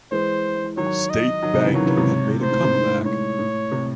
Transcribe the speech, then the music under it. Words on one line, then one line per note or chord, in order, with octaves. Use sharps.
State banking had made a comeback.
E3 G#3 C5
D#3 F#3 C#5
D#5
D#3 F#3
C3 D#3
C#3 E3
D#3 F#3 C#5
C#3 E3
G#2 C3
A2 C5
A2
G#2 C3
G#2
A2
G#2
A2
G#2 C#5
A2
C3